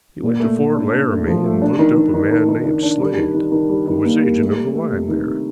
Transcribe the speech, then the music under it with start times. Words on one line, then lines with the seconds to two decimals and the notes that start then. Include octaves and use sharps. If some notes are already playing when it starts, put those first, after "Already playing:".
He went to Fort Laramie and looked up a man named Slade, who was agent of the line there.
0.23 A#2
0.40 A3
0.58 A3
0.74 D4
0.92 D4
1.09 A3
1.27 F3
1.44 A3
1.62 D4
1.79 D#3
1.97 D#3
2.14 D#3
2.31 D#3
2.48 D#3
2.65 D#3
2.83 D4
3.00 G3
3.17 D#3
3.34 D#3
3.52 D#3
3.69 G3
3.87 D#3
4.05 A#3
4.22 G3
4.39 A3
4.57 A3
4.74 A3
4.91 C3
5.09 D#3
5.25 C3